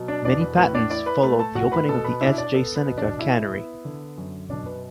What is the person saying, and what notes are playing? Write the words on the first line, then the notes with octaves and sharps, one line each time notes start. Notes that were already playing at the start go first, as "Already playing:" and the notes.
Many patents followed the opening of the S. J. Seneca Cannery.
Already playing: B2 F#3
D4 D5
E2 D4 D5
B4
A2 B4
D4 D5
E4 D5 D6
B4 B5
A3 B4 B5
A4 A5
A2 F#4 F#5
B4 B5
B2 A4 A5
B4 B5
D4 E4 E5
D4 D5
B3 A4
B4
B2
D4 D5
E4 E5
B3
D3
F#2
B2 D4 D5
B4